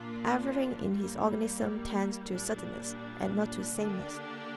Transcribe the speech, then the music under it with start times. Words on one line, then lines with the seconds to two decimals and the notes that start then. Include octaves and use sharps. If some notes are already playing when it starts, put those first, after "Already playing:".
Everything in his organism tends to suddenness and not to sameness.
Already playing: A#2 A#3 D4 F4
0.87 G2 G3 A#3
2.30 A#2 G3 D4
3.75 D3 A#3 D4 G4